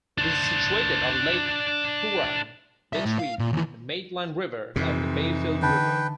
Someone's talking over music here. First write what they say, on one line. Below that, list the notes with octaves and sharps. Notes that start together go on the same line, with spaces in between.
It is situated on Lake Huron between the Maitland River and the Bayfield River.
D4 C5
G3 E5
A2
F5
A#2
D#2 E3
F2 C3 E3 D#4
D3 B4 G5 A5